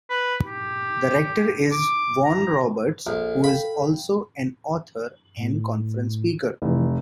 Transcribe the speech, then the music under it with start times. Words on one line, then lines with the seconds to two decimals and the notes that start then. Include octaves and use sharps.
The rector is Vaughan Roberts who is also an author and conference speaker.
0.10 B4
0.45 G4
1.72 D6
2.25 A#5
3.07 A#1 A4
3.44 F5 G5 B5
5.37 A2
6.62 F1 E3